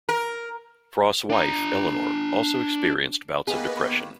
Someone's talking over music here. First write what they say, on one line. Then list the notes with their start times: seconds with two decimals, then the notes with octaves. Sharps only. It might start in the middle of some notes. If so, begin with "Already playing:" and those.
Frost's wife, Elinor, also experienced bouts of depression.
0.09 A#4
1.30 D4 A#5
3.47 D#3 A#3 B3 G#4 B4 D#5